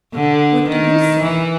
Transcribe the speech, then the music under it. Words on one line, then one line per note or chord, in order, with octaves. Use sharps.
What do you say?'
D3
D#3
E3